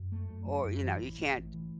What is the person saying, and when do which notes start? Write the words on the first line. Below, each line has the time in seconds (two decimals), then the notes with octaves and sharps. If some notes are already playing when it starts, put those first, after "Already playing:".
or, you know, you can't
Already playing: F#2
0.12 A3
0.29 F#2
0.47 F#3
0.65 F#2
0.83 E3
1.01 A1
1.18 A2
1.36 A1
1.54 E3